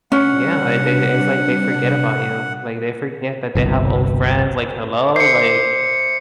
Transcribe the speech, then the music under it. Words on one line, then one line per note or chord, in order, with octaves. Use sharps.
Yeah, they they it's like they forget about you. Like, they forget that they have old friends like, "Hello?" Like
C3 G3 C#4 D4 F#5
G1 C2 B2
C5 E5 D6 C7 C#7